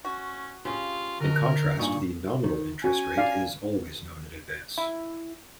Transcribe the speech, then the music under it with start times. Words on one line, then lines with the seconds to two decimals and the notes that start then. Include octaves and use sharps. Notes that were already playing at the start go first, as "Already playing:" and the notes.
In contrast, the nominal interest rate is always known in advance.
0.05 C#4 F#4
0.65 C#3 C#4 F4 G4 G#4
1.20 D3 A#4 D#5
1.79 G2 A#2 D#4 G#4 C#6
2.44 D#3
2.84 C#4 F#4 G#5
3.17 D5 F5
4.78 E4